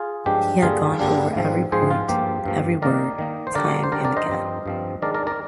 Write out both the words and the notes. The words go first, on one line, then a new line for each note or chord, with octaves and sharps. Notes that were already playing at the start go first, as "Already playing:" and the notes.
He had gone over every point, every word, time and again.
Already playing: F4 G#4
G2 F3 G#3 D4 G4
G2 D3 G3 A#3 D4 F4 G#4
G2 D3 G3 A#3 D4
G#2 F3 C4
G#2 F3 C4 G#4 C5
F4
G2 F3 A#3 G4
G2 F3 A#3
D#3 A#3 D#4 A#4 D5
D#3 A#3 D#4
C5
D3 G3 D4 A#4 D5
C5
D3 G3 D4 A#4 D5
A#4 D5
C5 D#5
G2 F3 C4
G2 F3 C4
D#3 G#3 D4 A#4 D5
A#4 D5
A#4 D5